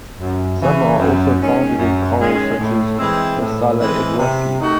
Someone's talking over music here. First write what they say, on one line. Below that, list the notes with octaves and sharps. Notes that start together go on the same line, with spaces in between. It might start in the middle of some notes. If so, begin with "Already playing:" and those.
Some are also found in corals such as Maasella edwardsi.
F#2
C#3 E3
F#2
D#3 G#3 C#4
F#2
D#3 G#3 C#4
A2
E3 G#3 C4
A2
E3 G#3 C4
C3
D#3 A3 D#4 F#4